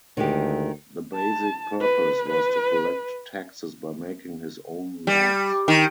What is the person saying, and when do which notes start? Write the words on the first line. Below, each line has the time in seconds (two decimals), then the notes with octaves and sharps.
The basic purpose was to collect taxes by making his own laws.
0.17 D2 D#3 G#3 G4
1.15 A5
1.81 B4
2.30 B4
5.07 G3
5.68 D#3